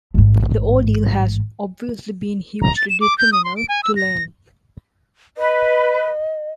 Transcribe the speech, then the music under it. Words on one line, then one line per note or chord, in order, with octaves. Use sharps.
The ordeal has obviously been hugely detrimental to Lane.
A1 G#2
A#5
A6
E7
D6
G6
D#6
C6
D7
G#5
E6
A#6
B4 D#5